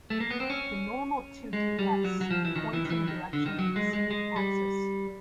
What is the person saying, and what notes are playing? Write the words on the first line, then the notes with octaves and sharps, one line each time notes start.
The normal to d"S" points in the direction of the "z" axis.
A3
A#3
B3
C4
C#4
G#3
G3
F#3
F#3
F3
E3
D#3
E3
D#3
E3
D#3
D3
D#3
F#3
G#3
G#3
G#3
G3